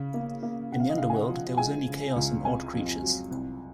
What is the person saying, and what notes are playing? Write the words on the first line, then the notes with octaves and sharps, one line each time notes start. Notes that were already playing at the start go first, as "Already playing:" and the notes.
In the underworld, there was only chaos and odd creatures.
Already playing: C#3
A#3
A#3
C#3 F#5
F5
D#5
C#3 F5
G#5
F#5
F3
G#3 G#5
C#3
C#2
C3 G#5
F2
F#3
C2